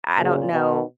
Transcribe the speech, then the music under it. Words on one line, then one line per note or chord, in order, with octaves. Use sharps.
I don't know,
F#1 F#2 A#2 C#3
B2